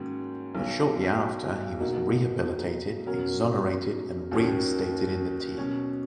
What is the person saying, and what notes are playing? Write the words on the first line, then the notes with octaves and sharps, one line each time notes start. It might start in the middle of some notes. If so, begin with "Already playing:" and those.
But shortly after, he was rehabilitated, exonerated, and reinstated in the team.
Already playing: G#2 D#3 A#3 C#4 F#4
B1 B2 F#3
B2 A#3 D#4 F#4
B2 F#3 C#4 F#4 A#4
D#2 D#3 F#3 C#4
B2 F#3 C#4